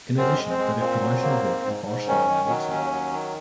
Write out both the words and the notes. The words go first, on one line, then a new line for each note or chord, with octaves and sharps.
In addition, they did promotional work in Barcelona and Italy.
F#2 C4
G#3
C4
G#3
A#2 C4
F#3
A#3
G#2
G#2
G#2
D#3 C#4
D#3
F#3
D#2 C#4
F#3
D#3